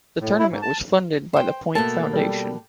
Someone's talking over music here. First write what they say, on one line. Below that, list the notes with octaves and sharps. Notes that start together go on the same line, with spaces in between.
The Tournament was funded by The Point Foundation.
A2
E4
G#2
A5
C5 G5
B2 A3 A#3 A4 A5
G3 A4 G5